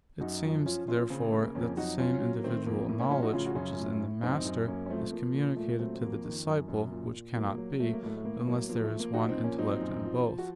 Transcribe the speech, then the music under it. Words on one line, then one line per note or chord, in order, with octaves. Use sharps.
It seems, therefore, that the same individual knowledge which is in the master is communicated to the disciple; which cannot be, unless there is one intellect in both.
F#2 D#4 F#4
F3
F3 C#4 F4
A#2 C#4 F4
C#3 C4
A#3
C#3 A3
A#3
F2 A#3 C#4
F#3 D#4 F#4
F#3 C#4 F4
F#3
A#3
D#3 A3 C4
F2 A#3
A2 A#3
A#3 C#4
F3 C#4 F4
D#4 F#4
C#3 C#4 F4
F#4
F#2 C#4 F4
A2
A2
F#2 C4 D#4
F#2
F#2 A#3 C#4
C#4
F3 A3 C4
A3
F3 A#3
A#2
A#2 A3
F#3 A3 C4
C4
F2 A#3
D#3
F#2
F#2
A#2
A#2
F#3 A#3
F#3
F#3 A3
A#3
A2 A3
A3
A2 A#3
F#3 A#3
F3 A#3
A3
F3
A#3
F3 D#4 F#4
C4 D#4
A#2
A#3 C#4
F#3 C4 D#4
F#2
F3
F3
F#4